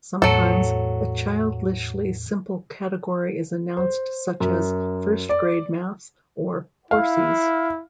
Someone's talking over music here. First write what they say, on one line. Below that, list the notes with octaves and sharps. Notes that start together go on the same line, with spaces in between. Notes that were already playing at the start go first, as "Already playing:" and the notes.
Sometimes, a childishly simple category is announced, such as "First Grade Math" or "Horsies".
E2 A2 F#3 A4
C5
F#2
D5
E4 F5